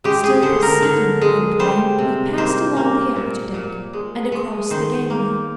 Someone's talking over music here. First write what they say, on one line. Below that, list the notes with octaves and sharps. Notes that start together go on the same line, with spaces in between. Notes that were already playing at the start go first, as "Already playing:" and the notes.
Still preceding Gwynplaine, he passed along the after-deck, and across the gangway.
G#3 G4
G#4
D3 C5
A#4
D3
G#3
G3 C5
C3
A#3 C5
A#3
A#2
A#2
G#3
G#3
D#3 C5
A#3